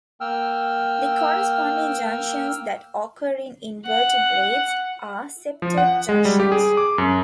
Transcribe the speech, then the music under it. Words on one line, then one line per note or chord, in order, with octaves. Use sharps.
The corresponding junctions that occur in invertebrates are septate junctions.
A#3 G5 E6 F6
F#5
F3
F#5
G#3
G3
G4
G#4
D6
F#2